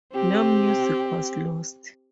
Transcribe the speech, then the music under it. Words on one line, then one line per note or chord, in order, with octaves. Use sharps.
No music was lost.
C4 G4